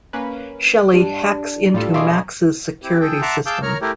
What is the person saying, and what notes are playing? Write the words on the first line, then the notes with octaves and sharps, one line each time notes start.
Shelly hacks into Max's security system.
A#3 C#4 B4
G2 D4 G4
A2 G3 F4 A4 D5
B2 G#4 E5 F5 C6 D6
C4 E4 G4
G#4 A4 G5
E5 F#5 A5 A#5 C6 D6
G#4 F5 A5 D6 E6 G6
A#4 C#5 A#5 F6
A3 E4 G4 A#4